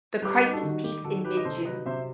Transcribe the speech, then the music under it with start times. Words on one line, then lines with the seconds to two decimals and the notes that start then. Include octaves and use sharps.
The crisis peaked in mid-June.
0.22 G3 G4 B4
0.38 G4 B4
0.43 D#4
0.53 F#4 A4
0.63 D#3
0.69 F#4
0.83 G3 G4
1.04 D#3 F#4 A4
1.24 D#4 G4 B4
1.37 D#5
1.45 C3 A4 C5
1.65 F#3 B4 D#5
1.86 C3 C5 E5